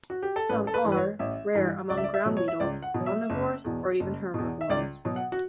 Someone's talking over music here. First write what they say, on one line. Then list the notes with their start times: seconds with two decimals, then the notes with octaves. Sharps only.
Some are, rare among ground beetles, omnivores or even herbivores.
0.10 F#4
0.23 G4
0.36 A4
0.49 A1 B4
0.67 A4
0.74 B4
0.84 G2 E3 G3
0.92 B4
0.97 C#5
1.19 A1 E5
1.55 G2 E3 G3
1.90 C#2 D5
1.97 E5
2.04 D5
2.14 E5
2.25 B2 F#3
2.37 C#5
2.48 E5
2.60 C#2 D5
2.82 F#5
2.94 B2
3.00 F#3
3.06 E5
3.30 F#1
3.65 E2 B2
4.00 F#1
4.34 E2 B2
4.61 E5
4.70 C#2 D5
5.05 B2 F#3
5.16 F#5
5.32 F#4